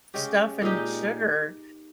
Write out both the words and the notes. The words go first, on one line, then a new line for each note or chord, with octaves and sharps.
stuff and sugar.
C#3 G#3 C#4 G4
A#2 G#3 D#4 G4